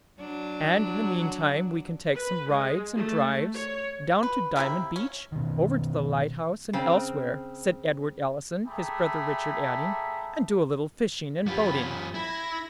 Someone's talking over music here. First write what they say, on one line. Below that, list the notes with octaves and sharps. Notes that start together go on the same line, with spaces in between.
"And in the meantime we can take some rides and drives,--down to Diamond Beach, over to the light-house, and elsewhere," said Edward Allison, his brother Richard adding, "and do a little fishing and boating."
F#3 D4
B4
G#3
A3
C#5
B4
C3 D#3 A#3 E4
C#4
B2 D#3
C#3 C4
A3 G4 G#4 E5 A#5 B5
F#2 F4 G4 G#5 B5
E4 B5 G#6 A#6